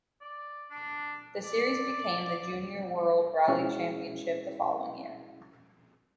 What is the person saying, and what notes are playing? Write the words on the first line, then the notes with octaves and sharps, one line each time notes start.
The series became the Junior World Rally Championship the following year.
D5
D4
D5
B2 G#3 C#4 E4 F#4 G#4